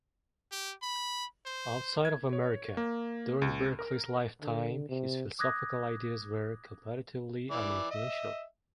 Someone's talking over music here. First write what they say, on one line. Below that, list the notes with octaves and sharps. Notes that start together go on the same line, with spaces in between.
Outside of America, during Berkeley's lifetime his philosophical ideas were comparatively uninfluential.
G4
B5
C5
G#6
C#5
A#3
C#2
A#4
D3
C3
D6 D#6 F#6 G#6 A#6
E3 D5
D#5 E5